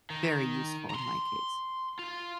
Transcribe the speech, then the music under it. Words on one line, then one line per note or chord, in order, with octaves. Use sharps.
very useful, in my case.
D#3
A#5 C6
F4